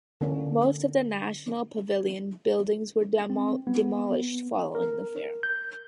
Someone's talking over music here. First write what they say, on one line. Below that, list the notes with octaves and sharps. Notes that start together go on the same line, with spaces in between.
Most of the national pavilion buildings were demolished following the fair.
D3 A#3 C#4
C4
B3
A#4
G6